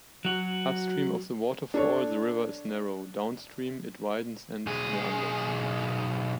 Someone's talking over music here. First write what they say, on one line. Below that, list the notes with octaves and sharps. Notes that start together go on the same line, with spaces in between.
Upstream of the waterfall, the river is narrow; downstream, it widens and meanders.
F#3 F#4
D4 A4 C#5
B1 G#4